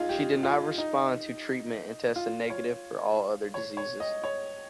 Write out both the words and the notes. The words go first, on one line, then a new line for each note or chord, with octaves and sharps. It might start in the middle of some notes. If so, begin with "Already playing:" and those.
She did not respond to treatment and tested negative for all other diseases.
Already playing: D#4 F4 G#4
G4
F4
D#4
F4
C#5
C#5
C#5
D#5
C#5